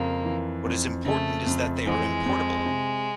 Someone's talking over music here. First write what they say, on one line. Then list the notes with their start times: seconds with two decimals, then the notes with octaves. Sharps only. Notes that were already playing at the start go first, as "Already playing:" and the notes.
What is important is that they are importable.
Already playing: F2 C#3 A#3
0.25 E3
0.65 F2
1.05 C#3 A3
1.46 F2
1.86 E3 G#3
2.26 F2
2.66 C3